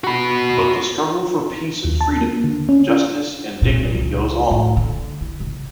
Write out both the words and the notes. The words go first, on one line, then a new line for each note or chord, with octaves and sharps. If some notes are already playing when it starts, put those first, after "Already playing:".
But the struggle for peace and freedom, justice and dignity goes on.
F#4 B5
D#2
A5
A#3
D3
C#4
A#2
C#2
A2
D3
E4
C#3